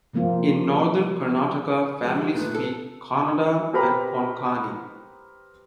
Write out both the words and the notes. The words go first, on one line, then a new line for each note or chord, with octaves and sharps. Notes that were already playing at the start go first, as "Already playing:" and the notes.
In Northern Karnataka families speak Kannada and Konkani.
C3 F3 A#3 C4 F4
F3 G#3 G4
A#2 A3 B4
A4
C4 G4 A#4 B4 A#5 B5